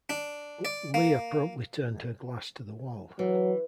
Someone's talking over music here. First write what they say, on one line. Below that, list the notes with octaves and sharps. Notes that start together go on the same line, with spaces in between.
Liah promptly turned her glass to the wall.
D4
D5
A#3
E3 F#3